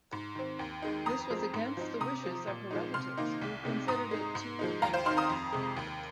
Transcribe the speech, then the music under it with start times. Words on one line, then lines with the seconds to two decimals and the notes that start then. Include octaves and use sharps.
This was against the wishes of her relatives who considered it too dangerous.
0.12 G#2
0.35 D#3 C4
0.59 D#2
0.82 D#3 G#3 D#4
1.06 F2 A#5 D#6
1.30 F3 G#3 C4
1.54 G#2
1.77 F3 C4 D#4
2.00 C3 A#5 D#6
2.23 F3 C4
2.47 A#2
2.71 F3 G#3 D#4
2.94 C3 C6 F6
3.17 D#3 A#3 D#4
3.41 C2
3.65 C3 G#3 D#4
3.88 G#2 A#5 D#6
4.11 G#3 D#4
4.35 G#2
4.59 F3 G#3 D#4
4.82 D#2 F5 A#5
4.93 C5 F5
5.05 D#3 C4 D#4 C6 F6
5.17 A#5 D#6
5.30 F2
5.53 C3 G#3
5.76 D#2